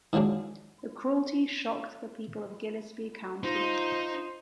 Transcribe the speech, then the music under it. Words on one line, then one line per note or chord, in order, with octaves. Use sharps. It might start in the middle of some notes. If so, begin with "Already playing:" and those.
The cruelty shocked the people of Gillespie County.
D#3 F3 F#3 G#3 D4
D#4 F4 C5